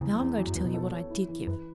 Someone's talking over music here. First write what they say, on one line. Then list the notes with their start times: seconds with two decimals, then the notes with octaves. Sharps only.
Now I'm going to tell you what I did give.
0.01 E2 C#3
0.13 F#3
0.20 E2
0.38 E3 F#3
0.47 F#2
0.55 E2 B3
0.65 B2
0.74 A4
0.93 C#5
1.10 E4
1.28 E3
1.47 F#2 B4